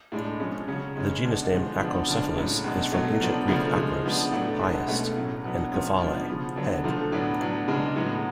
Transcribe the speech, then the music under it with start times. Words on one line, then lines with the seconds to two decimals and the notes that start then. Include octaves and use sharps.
The genus name "Acrocephalus" is from Ancient Greek "akros", "highest", and "kephale", "head".
0.12 A2 G#3 D4
0.40 F3 G#3 C#4
0.68 C#3 F#3 C#4
0.95 C#3 G#3 C#4
1.24 B2 G#3 D4
1.52 D3 F3 G#3
1.80 F3 B3 D4
2.08 C#3 F3 G#3 D4
2.36 A2 F#3 C#4
2.64 B2 G#3 D4
2.92 B2 F#3 A3
3.20 F3 B3 D4
3.48 C#3 F3 A3 D4
3.76 C#3 F3 G#3
4.04 F3 B3 D4
4.32 A2 F#3 A3 D4
4.60 B2 G#3 B3 D4
4.88 B2 A3 C#4
5.16 A2 F#3 C#4
5.44 B2 F#3 B3 D4
5.72 F3 G#3 C#4
6.00 F3 B3 D4
6.28 C#3 F3 B3
6.56 D3 F#3 B3 D4
6.84 D3 F3 A3
7.12 A2 F#3 B3 D4
7.40 A2 F#3 B3 D4
7.68 C#3 G#3 D4
7.96 A2 F#3 B3